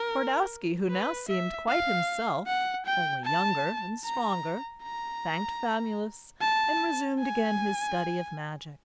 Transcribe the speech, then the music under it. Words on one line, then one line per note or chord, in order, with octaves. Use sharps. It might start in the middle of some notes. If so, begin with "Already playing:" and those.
Twardowski, who now seemed quite himself, only younger, and stronger, thanked Famulus and resumed again his study of magic.
Already playing: A#4
B4
E5
F5
F#5
G5
A5
A#5
A#5
A5
G#5